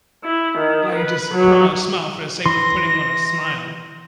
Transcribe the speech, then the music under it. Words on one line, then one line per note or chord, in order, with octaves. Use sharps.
like, just put on a smile for the sake of putting on a smile
E4
D#3
B4
F#3
E3 C6 A#6